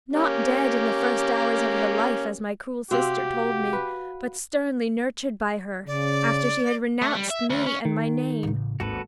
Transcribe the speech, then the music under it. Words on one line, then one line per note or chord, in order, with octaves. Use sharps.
Not dead in the first hours of her life, as my cruel sister told me, but sternly nurtured by her, after she had renounced me and my name!
A#3 C#4 G4
C3 C4 F#4 G4 F5 F#5
B4
C#3 D5
A3
G3
E5
D2
C#4
D#3
A1 C#3
G#1 D#2 F#4 A4 B4